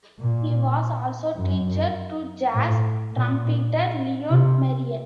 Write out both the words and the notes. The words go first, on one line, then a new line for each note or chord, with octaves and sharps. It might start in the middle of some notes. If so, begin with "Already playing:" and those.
He was also teacher to jazz trumpeter Leon Merian.
A#2
F#2
A2
A#2
C3